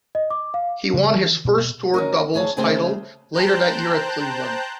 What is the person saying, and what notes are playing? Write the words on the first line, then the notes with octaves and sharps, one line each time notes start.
He won his first tour doubles title later that year at Cleveland.
D#5
D6
F5
C#3 G#3 A#3
E3
B2
C#4 D#4 A#4
D2 G#4 C#5 A5
D#2 C#3 A3 G#4 C5 G5
C5 G5 A5 A#5 F#6 G6